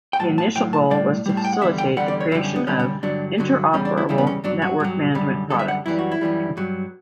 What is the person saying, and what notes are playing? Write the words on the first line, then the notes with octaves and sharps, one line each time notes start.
The initial goal was to facilitate the creation of 'interoperable network management products'.
G5
A2 F#3 A5
A5
A2 F#3 G5
A5
A2 G3 D5
A2 G3
A5
G5
F#5
E2 D3 G3 E5
G5
E2 D3 G3 F#5
D5
C#5
F#2 D3 G3 E4
C#4
B3
F#2 D3 G3 C#4
C#4
G2 D3 F#3 D4
G2 D3 F#3
E2 C#3 G3 C#4
D4
E4
E2 C#3 G3 E4
B3
C#4
G2 F#3 D4
F#4
G2 F#3
F#2 D3 G3
F#2 D3 G3 A4
E5
F#5
F#2 E3 G3 E4
F#4
E4
F#2 E3 G3
G2 F#3